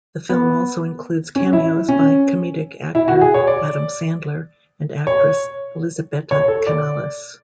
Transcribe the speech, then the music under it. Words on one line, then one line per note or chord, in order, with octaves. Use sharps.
The film also includes cameos by comedic actor Adam Sandler and actress Elisabetta Canalis.
B3
C#4
E4
C#4
E4
F#4
G#4
C#5
D5
C#5
C#5
A4
D5